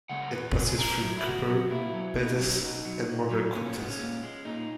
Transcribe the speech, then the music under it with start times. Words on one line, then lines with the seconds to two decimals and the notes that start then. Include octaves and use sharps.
It passes through Cooper, Pettis, and Morgan counties.
0.09 C#3 G#3 F#5
0.22 A#4
0.32 E2 B4
0.56 C#3 G#3
0.68 G#4
0.78 G#2 A#4
1.01 F#3
1.17 E4
1.24 G#2 F#4
1.47 F#3
1.70 A#2 E4
1.93 F#3
2.16 A#2 D#4
2.39 F#3 C#4
2.62 B2 D#4
2.85 F#3
3.09 B2
3.30 F#3
3.53 A#2 C#4
3.66 C#4
3.76 G#3 B3
3.89 C#4
4.00 A#2
4.23 G#3
4.45 A#2 D#4